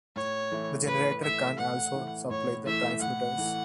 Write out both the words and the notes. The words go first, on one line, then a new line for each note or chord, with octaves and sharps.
The generator can also supply the transmitters.
A2 C#5
E3 A3 E4
A2 B4
E3 A3 E4 E5
A2 F#5
E3 A3 E4
A2 C#5
E3 A3 E4 E5
A2 F#5
E3 A3 E4